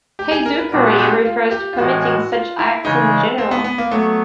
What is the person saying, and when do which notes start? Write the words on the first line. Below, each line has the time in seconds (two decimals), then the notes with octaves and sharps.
"Haydukery" refers to committing such acts in general.
0.19 G4
0.31 G#4
0.46 A#4
0.59 B4
0.72 A#2 G3 B3 D4 F#4 A#4
0.85 G#4
0.98 G4
1.25 F4
1.51 G4
1.73 F4
1.78 A2 E3 G#3 F#4
2.05 F#4
2.32 F4
2.59 E4
2.85 C#3 E3 G#3 D#4
3.38 C4
3.51 B3
3.64 B3
3.78 A#3
3.91 F#3 A3 B3